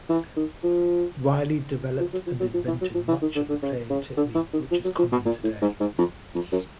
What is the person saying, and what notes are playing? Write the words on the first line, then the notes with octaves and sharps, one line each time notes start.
Reilly developed and invented much of the playing technique which is common today.
E3
D#3
F3
F3
F#3
F3
F#3
F3
E3
F#3
F3
E3
D#3
D3
D3
C#3
C#3
D3
E3
D#3
F3
F#3
F3
B2
A#2
A2
G#2
G#2
F2
F2
F#2